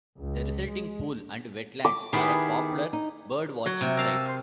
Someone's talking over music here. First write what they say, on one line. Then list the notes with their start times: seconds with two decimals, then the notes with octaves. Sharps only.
The resulting pool and wetlands are a popular birdwatching site.
0.18 C#2
0.68 G#3
1.85 D6
2.13 D#3 B3 E4 G4 G#4 B4
2.93 D#4
3.66 F#3
3.81 C3
3.97 A#4 F5 A5 E6
4.28 C5